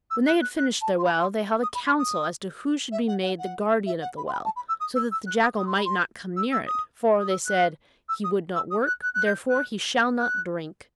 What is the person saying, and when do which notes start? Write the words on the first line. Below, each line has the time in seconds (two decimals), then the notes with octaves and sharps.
When they had finished their well, they held a council as to who should be made the guardian of the well, so that the jackal might not come near it, for, they said, 'he would not work, therefore he shall not drink.'
0.10 E6
0.26 F#6
0.41 F#6
0.57 F#6
0.81 A5
0.98 C6
1.04 B5
1.19 C6
1.62 D#6
1.74 B5
1.86 C6
1.98 D#6
2.91 E5
3.07 F#5
3.22 F#5
3.38 F#5
3.86 E5
4.01 F#5
4.16 B5
4.27 C6
4.32 B5
4.44 A5
4.55 B5
4.68 E6
4.79 D#6
4.95 E6
5.11 E6
5.26 F#6
5.42 D#6
5.58 D#6
5.66 C6
5.76 B5
5.85 C6
6.36 E6
6.51 E6
6.66 D#6
7.19 D#6
7.29 E6
7.45 F#6
8.08 E6
8.23 D#6
8.54 E6
8.70 D#6
8.86 F#6
9.02 F#6
9.13 F#6
9.25 G6
9.49 F#6
10.19 F#6